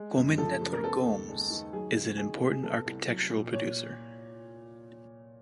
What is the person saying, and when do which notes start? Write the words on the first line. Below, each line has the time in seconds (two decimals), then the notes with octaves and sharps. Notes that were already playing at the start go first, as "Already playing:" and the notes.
Comendador Gomes is an important agricultural producer.
Already playing: G#3
0.16 F#2
0.38 F3 A4
0.61 C#3
0.72 A#4
0.83 B3 A4
1.06 D#2
1.29 G#3
1.50 D#3
1.73 F#3 G#4
1.95 C#2
2.17 D#3 G#4
2.41 C3
2.52 G#4
2.63 B3 A4
2.86 C2
3.08 F#3
3.30 A#2
3.52 A#2 C#5